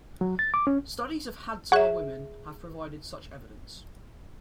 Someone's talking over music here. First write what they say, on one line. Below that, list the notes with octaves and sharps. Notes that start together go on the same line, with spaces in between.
Studies of Hadza women have provided such evidence.
F#3
A6
D6
C#4
G#4 E5 F#5 C#6 F#6